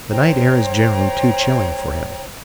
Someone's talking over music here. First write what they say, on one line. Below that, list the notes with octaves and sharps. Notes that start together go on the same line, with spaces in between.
The night air is generally too chilling for him.
C5 C#5 G5 A#5